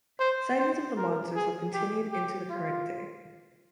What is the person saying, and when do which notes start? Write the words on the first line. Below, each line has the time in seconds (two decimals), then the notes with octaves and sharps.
Sightings of the monster have continued into the current day.
0.19 C5
0.59 C5
0.97 A#4
1.35 G#4
1.73 G4
2.12 G4
2.50 F4